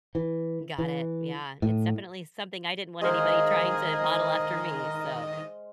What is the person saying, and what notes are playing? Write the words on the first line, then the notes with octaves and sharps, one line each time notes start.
Got it, yeah. It's definitely something I didn't want anybody trying to model after me, so
E3
E3
A2
D#3 G#3 G#4 A#4 C5 D#5 F5